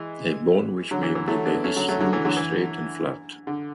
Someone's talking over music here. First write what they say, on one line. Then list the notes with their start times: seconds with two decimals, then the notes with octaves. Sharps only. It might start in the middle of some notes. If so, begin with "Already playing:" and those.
A bone which may be the ischium is straight and flat.
Already playing: E3 G#3
0.91 D3 F#3
1.03 E3
1.15 E3
1.28 F#3 A3
1.46 B3 D4
1.64 A3 C#4
1.76 D3 F#3
1.89 F#3 A3
2.00 D3 F#3
2.13 E3
2.25 D3 F#3
2.37 E3
3.47 D3